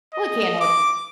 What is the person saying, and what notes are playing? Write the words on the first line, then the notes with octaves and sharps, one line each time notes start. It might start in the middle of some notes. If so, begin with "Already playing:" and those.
Well, I can't hold you to
D#5
D6